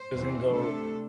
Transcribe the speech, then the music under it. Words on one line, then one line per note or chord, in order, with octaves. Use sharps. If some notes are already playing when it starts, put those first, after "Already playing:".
'cause it can go
Already playing: C5
E2 E3 C4
C3 A3 D4 A4